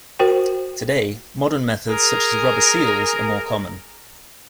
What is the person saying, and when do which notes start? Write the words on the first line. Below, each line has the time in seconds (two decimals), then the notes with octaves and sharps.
Today, modern methods, such as rubber seals, are more common.
0.19 F#4 A#4 C5 G5
1.89 G#4 A#4